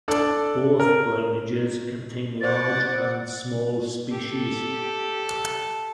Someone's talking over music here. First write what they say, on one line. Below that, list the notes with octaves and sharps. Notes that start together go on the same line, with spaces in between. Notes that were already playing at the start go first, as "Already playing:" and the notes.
Both lineages contain large and small species.
D4 A4 D5
A#4
C5 D5 F#5 A6
G4 A4